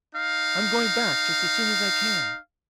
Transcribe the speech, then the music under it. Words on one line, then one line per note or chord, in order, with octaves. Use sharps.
I'm going back just as soon as I can.
D#4 F5